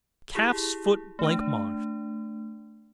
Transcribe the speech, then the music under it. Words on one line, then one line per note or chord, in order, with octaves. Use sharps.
Calf's Foot Blancmange.
E4 G4 G#4
A3 D4